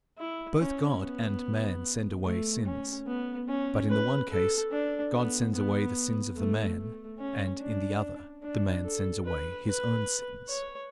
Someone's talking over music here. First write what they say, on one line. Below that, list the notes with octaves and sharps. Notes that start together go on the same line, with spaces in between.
Both God and man send away sins, but in the one case God sends away the sins of the man, and in the other the man sends away his own sins.
E4
C#4
B3
A3
C#4
B3
C#4
B4
A4
D4
B3
B3
A3
A3
C#4
D4
D4
A4
B4
B4
C#5